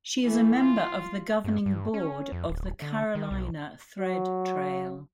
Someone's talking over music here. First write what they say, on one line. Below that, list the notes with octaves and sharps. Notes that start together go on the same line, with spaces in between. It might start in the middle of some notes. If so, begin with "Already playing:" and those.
She is a member of the governing board of the Carolina Thread Trail.
E3 A3
F4
G2
G2
C#4
F2
D1
D3
D#3
B1
F#3